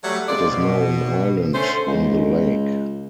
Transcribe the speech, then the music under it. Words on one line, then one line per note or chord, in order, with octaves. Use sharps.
It is now an island in the lake.
F#3 G3 A3
C3 G#3 F4 D5
B2
D3 A3 C#4 C5
C#2